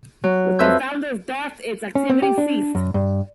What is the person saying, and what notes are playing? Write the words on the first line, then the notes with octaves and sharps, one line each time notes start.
With the founder's death, its activities ceased.
F#3
F2 B4 E5 E6 G6
C#4
C4
G4
D4
F#2
G2